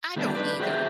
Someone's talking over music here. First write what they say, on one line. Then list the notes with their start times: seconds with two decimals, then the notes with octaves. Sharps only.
I don't either.
0.16 D#3 G3 A3 B3 D4
0.35 B4 D5
0.60 F#4 G#4 C5 E5 G5